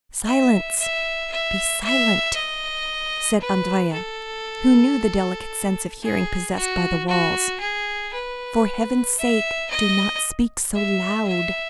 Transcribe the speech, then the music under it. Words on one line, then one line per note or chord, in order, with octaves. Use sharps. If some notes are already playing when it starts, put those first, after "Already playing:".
"Silence,--be silent!" said Andrea, who knew the delicate sense of hearing possessed by the walls; "for heaven's sake, do not speak so loud!"
E5
E5
E5
E5
D#5
B4
A4
G#4
F#4
F#4
G#4
B4
E5
D#5
E5
E5